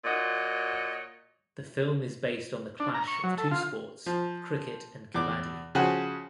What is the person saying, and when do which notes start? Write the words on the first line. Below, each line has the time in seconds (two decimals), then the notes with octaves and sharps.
The film is based on the clash of two sports cricket and kabaddi.
0.05 A#2 F#4 C#5 D#5
2.80 D4
2.94 A#5
3.07 C#6
3.24 F#3
3.38 A4
3.51 F4
4.06 F3
5.14 E2 D6
5.75 C#3 F3 F#4 G#5